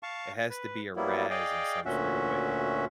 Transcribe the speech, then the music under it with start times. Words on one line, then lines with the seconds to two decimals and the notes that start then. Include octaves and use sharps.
it has to be a razz in some sort of way.
0.03 F5 A5 C#6
0.50 B4
0.96 F#3 G3 A#3 B3 E4
1.30 G#4 D5 D#5 F5 G5
1.85 D2 A#2 C#4 F#4 E5